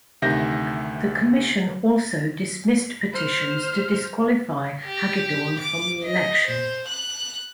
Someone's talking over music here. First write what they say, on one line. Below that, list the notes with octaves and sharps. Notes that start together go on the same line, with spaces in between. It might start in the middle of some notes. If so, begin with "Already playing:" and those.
The commission also dismissed petitions to disqualify Hagedorn from the election.
D2 C3 D#3 E5 G6 A#6
C5 F6
G4
D6
D#5
C5
F#6